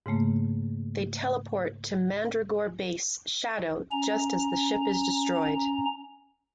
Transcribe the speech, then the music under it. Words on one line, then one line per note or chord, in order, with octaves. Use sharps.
They teleport to Mandragore base Shadow just as the ship is destroyed.
G#2 C#3 A3 A#3
C#4 A#5